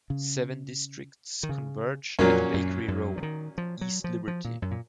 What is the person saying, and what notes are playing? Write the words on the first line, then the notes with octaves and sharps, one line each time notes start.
Seven districts converge at Bakery Row: East Liberty.
C#3
D#3
C#3
F2 A#2 F#3 A#3 C#4
F#2
F#2
F3
D#3
F3
F#3
F3
F3
A#2
F#2
A#2